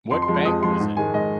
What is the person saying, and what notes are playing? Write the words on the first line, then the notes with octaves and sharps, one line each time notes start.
What bank was it?
F2 C6
C6
F3 G#3
C6
F2 D#6
F3 G#3 C6
G#2
D#3 G#3 G#5
G#2 D#5